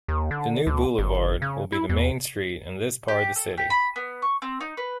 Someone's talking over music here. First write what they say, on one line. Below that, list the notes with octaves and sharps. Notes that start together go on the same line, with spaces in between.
The new boulevard will be the main street in this part of the city.
D#2
D3
D2
G1
C#3
E4
E2
G4
A4
G4
B5
B3
C#6
C4
D#4
B4